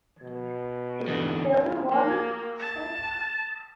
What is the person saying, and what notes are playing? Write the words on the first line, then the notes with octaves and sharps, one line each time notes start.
Is it the bill you're wanting, sir?
B2
E2 D3
A#3
A5